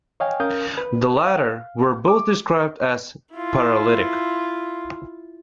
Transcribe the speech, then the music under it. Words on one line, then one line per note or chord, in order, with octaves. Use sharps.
The latter were both described as "paralytic".
C#5 D#5 F5 G5 G#5
C#4 A#4 F5 D#6 G6
B4
F5
D6
E4 F4